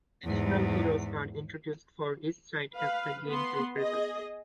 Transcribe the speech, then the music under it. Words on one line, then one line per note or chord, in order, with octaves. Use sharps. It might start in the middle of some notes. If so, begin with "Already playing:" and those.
Additional heroes are introduced for each side as the game progresses.
E2 G#2
B4 F5
B3 C6
G#4 D#5